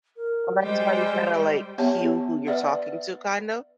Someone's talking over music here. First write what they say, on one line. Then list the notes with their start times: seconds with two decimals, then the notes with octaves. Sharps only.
Well, that's why you gotta, like, cue who you're talking to, kind of,
0.16 A#4
0.63 G3 G#3 C5 G5
1.78 B3 G4 C#5 E5 G#5 A5
2.47 B4 D5 E5 F#5